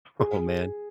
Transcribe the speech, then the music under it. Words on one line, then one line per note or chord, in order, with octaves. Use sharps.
Oh, man.
G#4